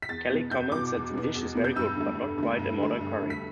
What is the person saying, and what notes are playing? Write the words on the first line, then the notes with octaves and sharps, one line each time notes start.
Kelley comments that The dish is very good, but not quite a modern curry.
B6
E2 A6
B2 B3
E2 G6
B2 B3 D6
E2
B2 B3
E2
B2 B3
G6
G2 E6
D3 A3
G2
D3 A3
G2
D3 A3
G2
D3 A3
B6